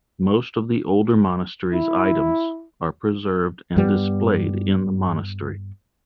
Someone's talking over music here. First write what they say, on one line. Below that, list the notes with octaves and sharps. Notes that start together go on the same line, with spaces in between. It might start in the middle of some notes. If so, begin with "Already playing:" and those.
Most of the older monastery's items are preserved and displayed in the monastery.
E4
G2 G3 B3